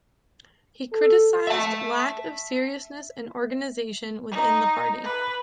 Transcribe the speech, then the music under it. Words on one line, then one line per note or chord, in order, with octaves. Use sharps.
He criticised lack of seriousness and organisation within the party.
A4
E5 A5
D#4
B4